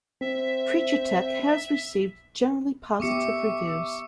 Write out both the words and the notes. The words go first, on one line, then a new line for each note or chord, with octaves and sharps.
"Creature Tech" has received generally positive reviews.
C4 E5
B3 G4 E5 C#6 D6 C#7